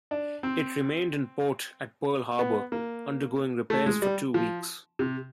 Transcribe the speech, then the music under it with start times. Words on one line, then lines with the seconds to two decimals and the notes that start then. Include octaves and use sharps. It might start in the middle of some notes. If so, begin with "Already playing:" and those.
It remained in port at Pearl Harbor undergoing repairs for two weeks.
0.11 D4
0.43 C4
2.39 B3
2.72 A#3
3.70 A3
3.86 G#3
4.02 G3
4.34 F3
4.99 C3